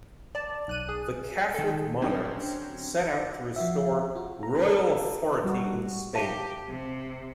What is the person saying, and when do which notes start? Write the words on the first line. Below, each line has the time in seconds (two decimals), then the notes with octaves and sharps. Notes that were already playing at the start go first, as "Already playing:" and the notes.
The Catholic Monarchs set out to restore royal authority in Spain.
0.35 D5 A5
0.67 B1 F#6 D#7
0.89 G#4
1.54 D#3 A4
2.01 D3 F#3 C4 C#4 G4
3.56 F3 F#4 E5
4.15 F4 F#4
4.43 A#5
4.65 A4
5.44 G3 F#4
6.15 G4 E5 F5 A5
6.68 C3